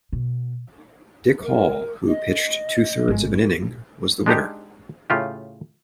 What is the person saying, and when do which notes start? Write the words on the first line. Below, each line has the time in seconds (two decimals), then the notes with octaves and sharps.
Dick Hall, who pitched two-thirds of an inning, was the winner.
0.13 B2
1.43 A#4
2.08 D#5
3.08 G1 G#3
4.26 G#3 D4 D#4 G4
5.10 A2 C#3 F4 G4